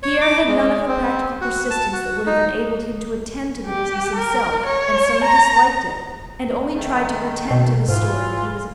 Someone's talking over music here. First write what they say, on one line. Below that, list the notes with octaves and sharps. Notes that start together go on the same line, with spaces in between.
Pierre had none of the practical persistence that would have enabled him to attend to the business himself and so he disliked it and only tried to pretend to the steward that he was attending to it.
C#5
D6
G#3
C4
F#4
A5
F#4
D#4
G4
A#4
C#5
A#5
D#3 G#3 A3
B2
G#2 E3 F4